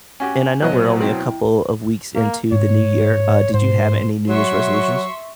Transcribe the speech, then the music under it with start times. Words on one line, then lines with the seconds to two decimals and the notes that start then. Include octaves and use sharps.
And I know we're only a couple of weeks into the New Year, uh, did you have any New Year's resolutions?
0.20 C#4 F#4 G4 G#5
0.62 B2 F#3 C5 D#5 F#6
1.01 C4 E4 G5
2.15 A#3
2.52 G#2 C#5
3.54 G#2 C5
4.29 F#3 E5 C6 C#6